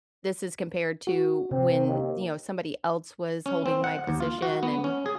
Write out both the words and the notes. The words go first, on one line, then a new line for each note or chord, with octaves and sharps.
"this is compared to when," you know, "somebody else was holding my position and"
F#4
C3 C4
D#2
C#4
C4
F#5
D#2
F4
F#4
B3
C#4
G#4